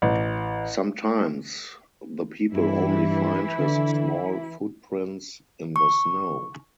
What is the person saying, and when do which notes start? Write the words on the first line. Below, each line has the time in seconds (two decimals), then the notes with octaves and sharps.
Sometimes the people only find his small footprints in the snow.
0.02 A1
2.53 G2 E3 E4
3.59 D3
5.76 C#6